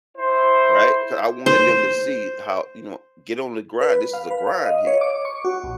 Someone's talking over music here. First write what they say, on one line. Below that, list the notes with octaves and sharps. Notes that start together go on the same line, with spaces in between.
right? 'Cau I wanted them to see how you know, get on the grind, this is a grind here,
E4 C5
C5
B4
F5
B4
F5
D#5
C#5
D6
C#6
F#4
A#1